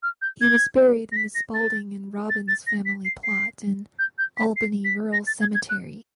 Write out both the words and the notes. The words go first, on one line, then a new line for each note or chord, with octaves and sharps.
He was buried in the Spalding and Robbins family plot in Albany Rural Cemetery.
F6
G6
G#6
A#6
B6
A#6
A6
A6
A6
A#6
B6
C7
C7
G6
G6
B6
C7
B6
A#6
A6
G#6
G#6
F#6